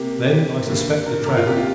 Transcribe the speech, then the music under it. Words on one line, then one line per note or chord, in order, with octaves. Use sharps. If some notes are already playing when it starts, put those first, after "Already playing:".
Then I suspect the trap.
Already playing: C3 A#3 G4
G4
G2 D3 A#3
A#4
A#4
F4
C3 A#3 G4
F4